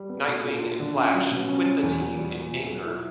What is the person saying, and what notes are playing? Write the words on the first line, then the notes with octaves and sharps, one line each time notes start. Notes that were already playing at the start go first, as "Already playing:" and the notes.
Nightwing and Flash quit the team in anger.
Already playing: G3
B3
B2
A#2
A#2
D3
C#4
F#3
B2
C#4
F#3
E2
E2
G3
A#2
B2
F#3
E4